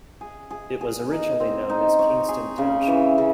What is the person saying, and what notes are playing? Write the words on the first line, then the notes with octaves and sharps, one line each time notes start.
It was originally known as Kingston Township.
G#4
G#4
G#4
D#4
C4
D#4
C#5
G#4
C#3
E3
C#3